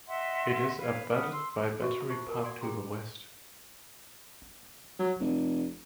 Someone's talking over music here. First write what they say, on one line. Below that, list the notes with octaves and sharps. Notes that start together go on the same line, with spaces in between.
It is abutted by Battery Park to the west.
D#5 E5 F#5 C6
B4 C#5 F5
B4 F#5 D#6 F6
C6 E6
F#4 E5 C#6
F4 C5 A5 C#6
A#4
D5 F#5 G#5 C6
C#4 G#4 G5 A#5 C6
F#3
F1